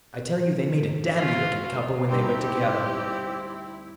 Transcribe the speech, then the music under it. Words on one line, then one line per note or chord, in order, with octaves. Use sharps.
I tell you, they made a dandy-looking couple when they were together.
F4 F#4
D2 G3 C4 D#4 E4 G4